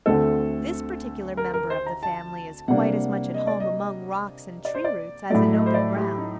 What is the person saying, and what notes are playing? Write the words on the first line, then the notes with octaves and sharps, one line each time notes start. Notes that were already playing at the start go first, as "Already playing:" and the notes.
This particular member of the family is quite as much at home among rocks and tree roots as in open ground.
D2 D3 A3 C4 A4
A#4
A#4
C5
A#5
A5
C3 G3 A#3 D4 F#5
D#5
D5
D#5
D5
C5
D5
A2 F#3 A3 D5
D#5
C5
D5
G4
D#4